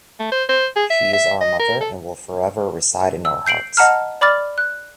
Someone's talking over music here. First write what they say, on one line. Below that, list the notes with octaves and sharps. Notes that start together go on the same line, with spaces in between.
She is our mother, and will forever reside in our hearts.
A3
C5
C5
G#4
E5
E5
D#5
A#4
A4
E6
G6 C7 D7 F#7
D#5 F#5 A5 A#5 F6
D5 B5 D6 F6 A6
F#6